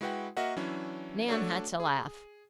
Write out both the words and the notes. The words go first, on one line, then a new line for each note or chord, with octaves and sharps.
Nan had to laugh.
G#3 E4 F#4 B4 F#5 G5
A#3 F#4 A#4 D#5 E5 F#5
E3 F#3 C#4 D4 E4
A3 D4 F#4 A4 C#5 D5
G#4